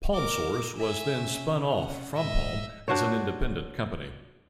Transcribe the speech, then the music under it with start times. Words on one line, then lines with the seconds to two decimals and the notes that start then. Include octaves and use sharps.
PalmSource was then spun off from Palm as an independent company.
0.13 A#4 D6
0.77 E5 G#5
1.13 C3 C#4
1.71 F#5
2.13 A#1 G#2 D#5 E5
2.88 D4 F#4 C5 C#5